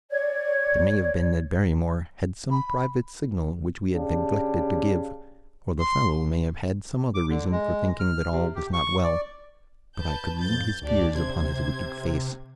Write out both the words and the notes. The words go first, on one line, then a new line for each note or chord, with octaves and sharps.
It may have been that Barrymore had some private signal which we had neglected to give, or the fellow may have had some other reason for thinking that all was not well, but I could read his fears upon his wicked face.
C#5 D5 G#6
B5
C#3 D4 G4
C6
D6
D3
G#3
F6
C3
G4
C#6
D5
B4 A5 G6
F2 G6 A6
D2 D4 G4 D5
C3 C5 G#6